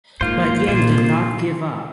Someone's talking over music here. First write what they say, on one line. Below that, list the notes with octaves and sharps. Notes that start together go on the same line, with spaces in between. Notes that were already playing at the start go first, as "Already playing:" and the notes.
But Yin did not give up.
G#2 A#3 F4 C5
A#2 A#3 F4 C5